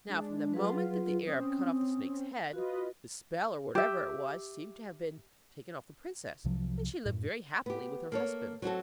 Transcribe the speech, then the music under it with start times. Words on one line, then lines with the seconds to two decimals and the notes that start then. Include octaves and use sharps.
Now, from the moment that the Arab cut off the snake's head, the spell, or whatever it was, seemed to have been taken off the princess, and she lived very happily with her husband.
0.08 G#3 D4
0.54 F#3 F4 G#4 B4
1.27 C4 C#4 D#6
2.53 F4 F#4 B4 D#5
3.75 G4 E5
6.44 C2 C3 F3 F#3
7.06 F#2 A2
7.66 B3 G4
8.12 A#3 A4 C#5
8.62 F#3 C4 F#4 A4